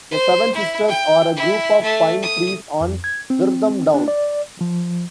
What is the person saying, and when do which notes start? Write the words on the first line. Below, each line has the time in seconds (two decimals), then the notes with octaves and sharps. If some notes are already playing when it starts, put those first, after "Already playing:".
The "Seven Sisters" are a group of pine trees on Durdham Down.
0.11 C5
0.55 E4
0.88 G5
1.36 E4
1.83 A3
2.23 D#6
2.81 F2
3.04 G#6
3.30 C4
3.94 D4
4.08 D5
4.61 F3